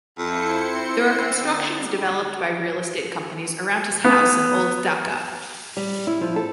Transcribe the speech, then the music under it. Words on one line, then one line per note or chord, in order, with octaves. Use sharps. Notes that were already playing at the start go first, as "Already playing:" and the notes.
There are constructions developed by Real Estate companies around his house at Old Dhaka.
F2 E4 C5 C#7
C4
D3 A6
G3
B3
G3
E4
F3
A4